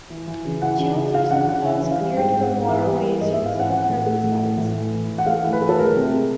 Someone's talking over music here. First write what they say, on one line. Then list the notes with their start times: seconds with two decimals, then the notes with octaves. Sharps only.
Tules are sometimes cleared from waterways using herbicides.
0.10 E3
0.27 E3
0.45 C#3
0.62 E3 F#5
0.79 C#3
0.96 C#3
1.14 E3 F5
1.31 C#3 F#5
1.48 C#3 F#5
1.65 E3 E5
1.83 E3
1.91 F5
2.00 G3
2.17 G#2 G5
2.34 G#2
2.42 F#5
2.51 G#2
2.68 E3 E5
2.86 G3
3.03 E3
3.21 G#2 D#5
3.33 G#2 E5
3.46 F5
3.55 E3 F#5
3.72 E3 F#5
3.89 A2
4.06 A3
4.24 A2
4.40 E3
4.58 A2
4.75 E3
4.92 E3
5.09 E3
5.18 F#5
5.26 A3 F5
5.44 E3
5.53 B4
5.61 A3
5.69 A4
5.79 G#3 A#4
5.96 C3
6.13 G#3